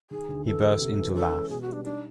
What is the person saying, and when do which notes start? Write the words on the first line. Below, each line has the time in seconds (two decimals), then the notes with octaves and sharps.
He burst into a laugh.
0.10 D#3 G#4
0.29 D2
0.46 E3 A4
0.63 F#4
0.81 C3
0.98 E3
1.15 C#4 A4
1.33 G#3
1.49 B2 G#4
1.61 F#4
1.68 G3
1.73 D4
1.84 D4 D#4